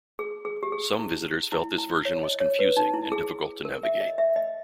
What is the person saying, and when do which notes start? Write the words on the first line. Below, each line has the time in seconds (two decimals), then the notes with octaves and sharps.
Some visitors felt this version was confusing and difficult to navigate.
0.19 G#4
0.45 G#4
0.63 G4
0.72 G#4
0.99 E4
1.52 E4
1.78 E4
2.05 C#5
2.23 D#5
2.40 C#5
2.59 B4
2.77 D#4
2.94 E4
3.12 G#4
3.65 A#4
3.83 E5
4.01 D#5
4.18 E5
4.36 D#5